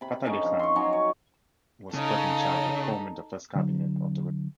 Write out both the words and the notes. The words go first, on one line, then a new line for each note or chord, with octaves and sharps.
Fatali Khan was put in charge of forming the first cabinet of the republic.
C3 B5
D3 C#4 D#4
F3
C6 C#6
F#3 C#4 D#4 C#6
C#5
C#3 D#4 A4
D3 F#3